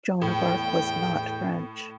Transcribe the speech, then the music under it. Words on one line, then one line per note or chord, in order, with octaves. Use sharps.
Joan of Arc was not French.
E2 A2 G5